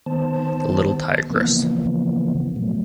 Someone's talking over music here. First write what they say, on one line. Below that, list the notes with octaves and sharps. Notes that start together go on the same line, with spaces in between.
The little tigress.
D#3 B3 C5 A5
C#3 E3 F3 A#3 B3
A#2 F#3 A3